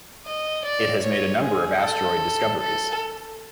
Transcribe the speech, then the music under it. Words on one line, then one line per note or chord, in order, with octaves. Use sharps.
It has made a number of asteroid discoveries.
D#5
D5
C#5
G#4
A4
A4